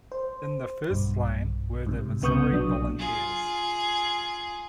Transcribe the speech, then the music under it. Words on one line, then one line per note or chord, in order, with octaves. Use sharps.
In the first line were the Missouri volunteers.
C5
B1 G2
G#2 C3
C2 C#3 B3 C#6 D#6 G6
B1 F#3 D4 D#6
F4 G#4